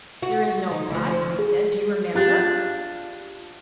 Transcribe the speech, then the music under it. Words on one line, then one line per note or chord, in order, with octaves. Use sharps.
"There is no 'but.' I said, do you remember?"
F#4
D#4
D2 F3
G#4
D4 F4 G4